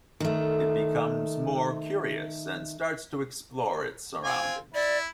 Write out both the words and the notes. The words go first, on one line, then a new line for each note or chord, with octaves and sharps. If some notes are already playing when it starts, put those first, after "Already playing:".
It becomes more curious and starts to explore its surroundings.
D#3 A3
C4 F4 G#5
E4 D5